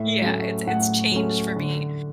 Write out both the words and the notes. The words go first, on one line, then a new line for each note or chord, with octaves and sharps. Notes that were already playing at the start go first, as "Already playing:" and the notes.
Yeah, it's it's changed for me
Already playing: A2 E5
F#3 A3 C#4
A2 F#5
F#3 A3 C#4
D3